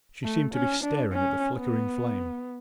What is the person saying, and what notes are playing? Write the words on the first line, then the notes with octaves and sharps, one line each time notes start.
She seemed to be staring at the flickering flame.
A3
C#4
D4
C#4
B3